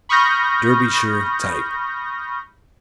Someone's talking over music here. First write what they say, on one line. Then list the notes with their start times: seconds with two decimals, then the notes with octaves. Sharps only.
Derbyshire type.
0.09 B5 C#6 D#6 F6 G6 A#6